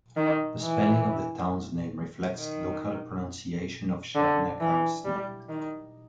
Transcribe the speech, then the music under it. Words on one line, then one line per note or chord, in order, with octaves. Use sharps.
The spelling of the town's name reflects local pronunciation of Scherneckau's name.
D#3
E3
D#3
D3
E3
G3
D#3